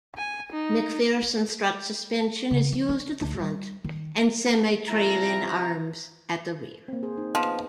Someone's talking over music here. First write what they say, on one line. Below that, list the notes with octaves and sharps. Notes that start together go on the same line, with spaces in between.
MacPherson strut suspension is used at the front and semi-trailing arms at the rear.
G#5
D#4
C#3
F3
D4
D2
G3
D#3
C3 F3 E4 A#5
A#3 C4
G#4 C5
D#4
F3 B3 D#5